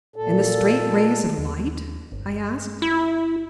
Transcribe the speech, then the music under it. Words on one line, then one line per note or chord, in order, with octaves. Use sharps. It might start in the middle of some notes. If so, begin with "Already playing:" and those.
"And the straight rays of light?" I asked.
A#2 A4
D#2
G1
E4